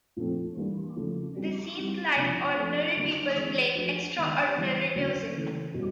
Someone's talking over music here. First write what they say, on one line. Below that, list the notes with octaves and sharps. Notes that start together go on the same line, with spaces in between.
They seemed like ordinary people playing extraordinary music.
A#2 F3 A3 C4
E3 G3 A#3 D4
C#3 F3 A3
G3 C4 D#4 F#4
G3 C4 E4
C3 F3 A#3 D4 F4
F3 A3 C4 F4
D3 F#3 A#3 D4
E3 G#3 C4
F3 A3 D4 F#4
D#3 G#3 B3
E3 G3 B3
D3 F#3 A#3 C#4
C#3 E3 A3
B2 G3